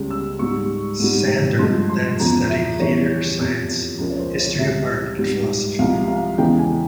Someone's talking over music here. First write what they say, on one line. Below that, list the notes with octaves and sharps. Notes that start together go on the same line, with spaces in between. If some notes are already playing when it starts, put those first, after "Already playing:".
Sander then studied theatre science, history of art and philosophy.
Already playing: C#2 C#3 G3
E6
G#2 G3 C#6
G#2 G3
G2 F3 G#3 C6
C6
E2 C#3 F3 A#5
E5
E2 C#3 E3 G3 C#5
F2 C3 F3
C#2 C#3 F3 G#3 A#4
C#5
C5
C#5
C#2 C3 G3 E5
G#2 G3
C2 C3 F3 G#3 F5
F5
E2 C#3 E3 G#3 G5
G#5